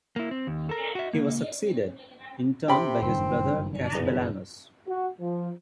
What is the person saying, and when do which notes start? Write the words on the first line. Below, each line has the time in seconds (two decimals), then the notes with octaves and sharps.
He was succeeded, in turn, by his brother Cassibelanus.
0.16 A#3 E4
0.31 C4
0.47 D#2
0.69 A4 A#4
0.95 F#4 E5
1.13 C#2 A#3
2.68 C3 G5 B5 C6
3.02 F#1 G2 D#3 C4
3.94 E2
4.88 F#4
5.20 F3